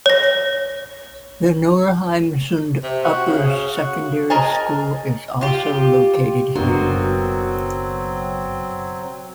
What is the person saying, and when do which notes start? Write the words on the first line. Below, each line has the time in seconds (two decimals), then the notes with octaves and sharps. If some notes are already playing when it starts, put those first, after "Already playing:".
The Norheimsund Upper Secondary School is also located here.
0.06 C#5 A#6
2.83 C3
3.04 F#4
3.26 C#3
3.75 F#4
4.30 G#4 A#4 D#5 G#5 A5
5.41 F4 G4
6.55 F#1 B2 F#3 A#3 C4 D4 C6